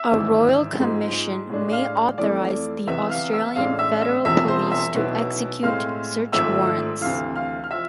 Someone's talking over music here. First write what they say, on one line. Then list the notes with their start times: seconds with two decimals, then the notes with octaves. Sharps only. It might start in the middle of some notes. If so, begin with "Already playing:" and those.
A Royal Commission may authorise the Australian Federal Police to execute search warrants.
Already playing: E5 E6
0.12 G#1 G#2 E3
0.80 G#2 F3 G#3
1.49 A2 G#3 D4
1.72 F5 F6
2.18 F2 E3 A3 E4 D5 D6
2.87 E2 C3 E3 B3 E5 E6
3.10 F5 F6
3.33 E5 E6
3.56 A1 A2 G#3 D4 F5 F6
3.79 E5 E6
4.02 E5 E6
4.25 E1 E2 C3 F3 E5 E6
4.48 C5 C6
4.71 E5 E6
4.94 B1 B2 B3 E4
5.63 A2 G#3 C4 F5 F6
6.32 G#1 G#2 F3 A3 E5 E6
7.01 D2 C3 E3 F5 F6
7.36 F5 F6
7.64 F6
7.71 F3 E5 E6